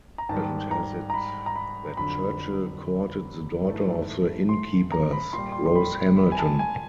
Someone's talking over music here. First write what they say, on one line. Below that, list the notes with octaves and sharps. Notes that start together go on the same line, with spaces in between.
Legend has it that Churchill courted the daughter of the inn keepers, Rose Hamilton.
A#5
G#2 D#3 G3 A5
A#5
A#5
B5
A#5
B5
F2 D3 F#3 B5
G#2 E3 A3
C6
A#5
B5
A#2 C6
G3
C6
C6
B5
B5
G#5
A5
G#5